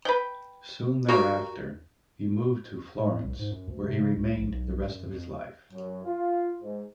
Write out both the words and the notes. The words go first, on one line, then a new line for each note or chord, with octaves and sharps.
Soon thereafter, he moved to Florence, where he remained the rest of his life.
B4 G5
A#3 F#4 G4 A#4
A2
C2
G#2
F#2
D2
C3
C#3
C#2
A#1
B1
F#2
F2
F#2
F4
G#2